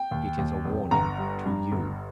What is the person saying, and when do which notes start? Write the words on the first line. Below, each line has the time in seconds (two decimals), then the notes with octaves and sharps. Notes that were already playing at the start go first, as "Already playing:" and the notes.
It is a warning to you.
Already playing: G5
0.11 D#2
0.38 D#2
0.64 F1
0.91 G1 A#5
1.18 G3
1.45 G2
1.72 G1